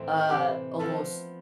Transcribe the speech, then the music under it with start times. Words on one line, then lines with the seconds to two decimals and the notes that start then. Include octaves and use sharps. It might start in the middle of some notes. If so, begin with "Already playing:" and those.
uh, almost,
Already playing: A2 E3 A3 C4
0.29 C3 E3 A3 E4 G4
0.79 F3 B3 E4 A4 B4